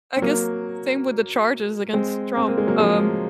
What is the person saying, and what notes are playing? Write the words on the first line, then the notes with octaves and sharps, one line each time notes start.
I guess same with the charges against Trump, um,
C4
F#3 A#3
G#3 C4
C4
A#3
G#3
F#3 A#3
F3 G#3